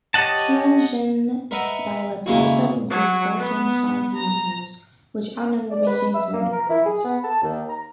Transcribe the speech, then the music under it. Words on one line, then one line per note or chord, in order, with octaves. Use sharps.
Tianjin dialect also includes four tone sandhi rules, which outnumber Beijing Mandarin's ones.
G4 C#5 D#5 F#5 A5
A#4 B4 D#5 E5 F#5
D#2 C#3 G#3 A#3 E4 F#4
F#3
B3
A#5
D5
B4
E5
A#3
A#4
E4
G#4
B3
A5
D#2
A#5